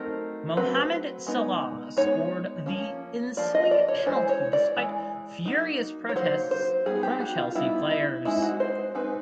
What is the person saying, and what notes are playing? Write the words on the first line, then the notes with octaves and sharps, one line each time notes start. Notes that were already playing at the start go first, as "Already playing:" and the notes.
Mohammed Salah scored the ensuing penalty despite furious protests from Chelsea players.
Already playing: F#3 A3 C4 D#4 A#4
F#3 A3 C4 B4
G#3 B3 D#4
G#3 B3 D#4 C#5
F3 A#3 C#4
F3 A#3 D5
D#5
D5
C#5
E3 G#3 C5
C#5
D5
E3 G#3
F#3 A#3 D#4
C#5
F#3 A#3 D#4 C5
C5
G3 B3 D#4 G#4
G4
F#4
F4
G3 B3 D#4 E4
E4
G#3 C4 D#4 E4
F#4
C5
G#3 C4 D#4 B4